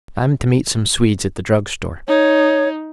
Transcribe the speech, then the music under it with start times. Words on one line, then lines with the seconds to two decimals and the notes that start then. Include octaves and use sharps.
I'm to meet some Swedes at the drug-store.
2.08 D#4 C#5